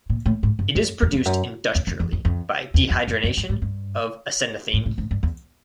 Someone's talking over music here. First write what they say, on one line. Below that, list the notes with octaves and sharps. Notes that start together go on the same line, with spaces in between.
It is produced industrially by dehydrogenation of acenaphthene.
A#2
A2
G#2
G2
F#2
E2
F2
F#2
E2
F2
E2
F2
F2
E2
F2
F#2
F#2
G2
G#2
G2
G#2
A2
G#2
G2
E2